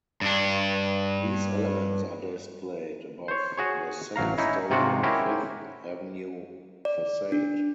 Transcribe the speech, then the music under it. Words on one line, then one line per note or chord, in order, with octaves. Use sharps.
These elements are displayed above the second story on Fifth Avenue facade.
G2 D4
C5 C#5
F#4 G#4 C#5
A1 F#3 F5 A#5
C#4 D#4 E4
G#2 C3 F4 F#4 F#5
C#4 E4 F#4 G4 A#4 C5
D5
D4